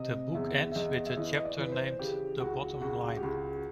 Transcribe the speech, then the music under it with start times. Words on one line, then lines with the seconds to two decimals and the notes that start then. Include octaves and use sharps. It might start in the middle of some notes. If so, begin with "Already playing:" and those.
The book ends with a chapter named "The bottom line".
Already playing: C3 D#5
0.35 E2 E5
0.72 E5
0.75 E2 D#5
1.06 E5
1.17 E3 D#5
1.37 D#5
1.45 D5
1.58 E3 B4
1.72 C5
1.99 C#3 G4
2.40 C#2 F#4
2.81 C#2 F#4
3.17 G4
3.23 C#2 F#4